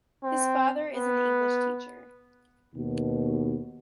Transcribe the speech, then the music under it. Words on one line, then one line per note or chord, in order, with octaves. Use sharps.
His father is an English teacher.
C4
B3
D#2 B2